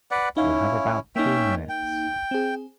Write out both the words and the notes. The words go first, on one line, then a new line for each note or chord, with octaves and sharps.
You have about two minutes.
B4 D5 F#5
C#4 D#4 E4 F5
A#3 C#4 D#4 E5 G5
G5
C4 G#4